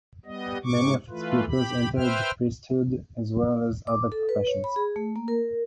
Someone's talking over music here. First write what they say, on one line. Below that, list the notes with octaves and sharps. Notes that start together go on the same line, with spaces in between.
Many of its pupils entered the priesthood as well as other professions.
G3 B3 D#5
G#2 C3 C#6 D6
E3 A3 F4 B4
G4 B5
B4 C5 E5 G5 F6
D6
A4
B4
C#5
B5
G#4
A3
A#3
A#4